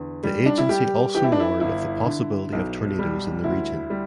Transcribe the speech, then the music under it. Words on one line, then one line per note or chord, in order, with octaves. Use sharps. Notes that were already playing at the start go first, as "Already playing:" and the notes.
The agency also warned of the possibility of tornadoes in the region.
Already playing: E2 D3
G3
D4
E4
G3 G4
E3 G4
E4
D4
E4
G1 E4
D3
B1
G3
D2 E4
G3